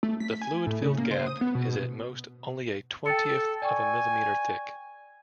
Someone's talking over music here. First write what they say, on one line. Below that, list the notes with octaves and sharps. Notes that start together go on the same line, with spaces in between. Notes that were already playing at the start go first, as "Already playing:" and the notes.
The fluid-filled gap is at most only a twentieth of a millimetre thick.
A3
B6
G#5
A2
C#3
A#3
C5
D#6
B3
B2
A4 G5 A6 C#7
D5 G5 G#5 C#6